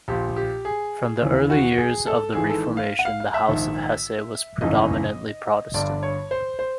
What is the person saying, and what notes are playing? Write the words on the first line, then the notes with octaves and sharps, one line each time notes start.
From the early years of the Reformation, the House of Hesse was predominately Protestant.
A#1 A#2 G4
G4
G#4
D#2 C#3 E3
F#4
G#4
A4
G#1 G#2 E3 G#4
A4
F5
F#5
F5
F5
E5
A#1 G#2 D#3
G#1 F#2 C#3 E3 D#5
G1 G2 D3 D5
C#5
C5
C5